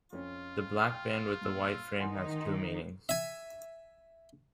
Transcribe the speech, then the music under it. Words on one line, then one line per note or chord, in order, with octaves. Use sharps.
The black band with the white frame has two meanings.
F2 C#4 F4
G5 F6
G2 A#2 E6
D#3 D#4 F#5 G#5 C6
E5 G#5